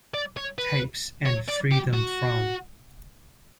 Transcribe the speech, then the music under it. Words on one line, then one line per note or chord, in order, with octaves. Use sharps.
Tapes and Freedom From.
D5
C#5
B4
C#5
D5
G4
F#4